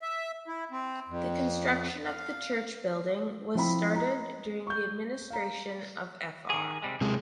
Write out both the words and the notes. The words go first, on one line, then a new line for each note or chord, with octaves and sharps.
The construction of the church building was started during the administration of Fr.
E5
E4
C4
F2
F5
F3 C4 E4 B5
D#5 A#5
C#6 G6
F5 A#5
D#3 G#4
C3 G3 G#3
B1 C3 G#3